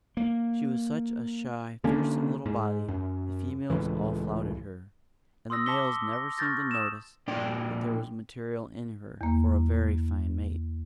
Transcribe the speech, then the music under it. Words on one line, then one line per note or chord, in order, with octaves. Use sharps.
She was such a shy, fearsome little body, the females all flouted her; and the males never seemed to notice that there was material in her for a very fine mate.
A#3
D3 A#3 C#4 D4
G#2
F#2
C#2 A2 E3
C6 D#6 E6 A#6
A5 C6 D6 B6 C#7 G7
E6
A#6
C#6 F6 G6 A6 A#6
D#6 E6 A6 E7
A#2 D4 D5 G5
E2 A#3